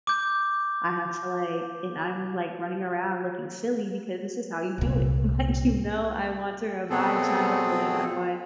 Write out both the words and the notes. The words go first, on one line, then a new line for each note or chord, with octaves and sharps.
I have to, like and I'm, like, running around looking silly, because this is how you do it, like, you know? I want to revive childhood, I want
D6 G6
C2 A#2
B2 F#3 B3 C4 G#4 A4